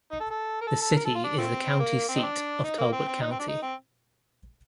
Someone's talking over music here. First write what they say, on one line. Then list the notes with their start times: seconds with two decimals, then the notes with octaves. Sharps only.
The city is the county seat of Talbot County.
0.12 D#4
0.20 A4
0.30 A4
0.61 A#4
0.67 A4
0.82 A4
0.96 A#4
1.05 A4
1.15 F4
1.24 D4
1.38 F3 A3 C4
1.80 A#3
2.09 C4
2.16 D#4
2.23 D4
2.64 D#4
2.78 A#3
2.93 C4
3.07 C4
3.21 D#4
3.31 C4
3.40 D4
3.48 D#4
3.63 C4